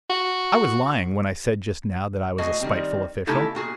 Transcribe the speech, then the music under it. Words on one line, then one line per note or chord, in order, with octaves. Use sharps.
I was lying when I said just now that I was a spiteful official.
F#4
A2 F#4 G#4 D#5 G#5
D#3 G3 C4
C#3 A3 D#4 E4 G4 A4
A#2 F#4 G#4